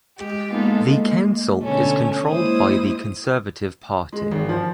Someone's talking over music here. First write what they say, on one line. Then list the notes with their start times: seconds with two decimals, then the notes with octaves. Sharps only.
The council is controlled by the Conservative Party.
0.17 G#3 G4
0.49 G#3 A#3 B3 D#4 F4 A4
0.83 G#3 A#3
1.62 B2 D3 A3 C#4 A4
2.28 G#3 A#3 E4 C5 D#6
4.12 G#3
4.31 G#1
4.49 F3